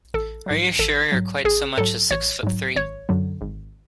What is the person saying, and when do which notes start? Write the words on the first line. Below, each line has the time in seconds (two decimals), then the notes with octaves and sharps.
Are you sure you're quite so much as six foot three?
0.14 A1 A4
0.46 G#2 F#3
0.79 A1 A4
1.12 G#2 F#3
1.45 A1 G#4
1.78 G#2 F#3 A4
2.10 A1 C#5
2.43 G#2 F#3
2.76 G#1 C#5
3.09 F#2 D3 F#3
3.41 G#1